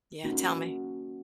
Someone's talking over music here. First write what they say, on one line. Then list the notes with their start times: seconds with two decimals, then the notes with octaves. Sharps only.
Yeah, tell me.
0.24 A#3 C#4 D#4 F#4